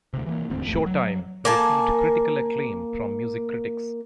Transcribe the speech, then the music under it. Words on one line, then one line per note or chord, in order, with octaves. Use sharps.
"Showtime" received critical acclaim from music critics.
D2 C3
E3 G#3 A#3
D#1 D2 G#2 C4
A1 F2 A3
F#3
A#3 G#5 A5